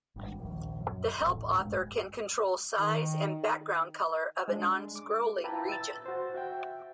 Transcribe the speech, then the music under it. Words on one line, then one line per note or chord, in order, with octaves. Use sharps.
The Help author can control size and background color of a non-scrolling region.
G#1 G2
A#1 D#2
F#2
D#1 A1
G2 G3 G#3
D#3
G#3 D4
D6
E4 F4 B4 G5 A5 A#5
E6 A6
F#4 C5
F#4 E5 G5